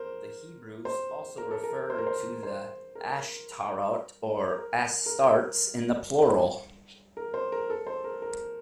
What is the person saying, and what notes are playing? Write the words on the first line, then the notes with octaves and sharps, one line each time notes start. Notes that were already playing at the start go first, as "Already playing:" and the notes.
The Hebrews also referred to the "Ashtarot" or "Astartes" in the plural.
Already playing: A#4 C5
C5
A#4
A4
A#4
C5
A#4
C5
C5
A#4
A#4
A#4
A#4
C5
A#4
A4
C5
A#4
A#4